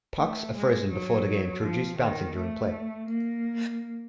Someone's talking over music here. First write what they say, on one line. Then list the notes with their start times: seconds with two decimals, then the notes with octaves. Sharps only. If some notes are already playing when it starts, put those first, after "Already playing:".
Pucks are frozen before the game to reduce bouncing during play.
0.17 A3
0.54 G#3
0.90 F#3
1.63 F3
1.99 D#3
2.36 A3
3.08 A#3